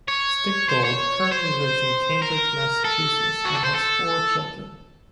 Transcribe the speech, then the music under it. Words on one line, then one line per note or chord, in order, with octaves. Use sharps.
Stickgold currently lives in Cambridge, Massachusetts and has four children.
C#5
C5
C#5
C5
A#4
A4
F#4
A4
C5
A4